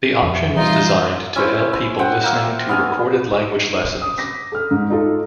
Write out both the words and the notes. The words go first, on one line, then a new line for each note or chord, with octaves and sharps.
The option was designed to help people listening to recorded language lessons.
F2 E5
E3 F3 G3 D#4 F4 C6
C#4 E4 C5
B5
C5 F#5 G5
A#3 E5
B3 F5 G#5
D#6
D6 A#6 B6
A4 F6
G#2
D#4 F4 A4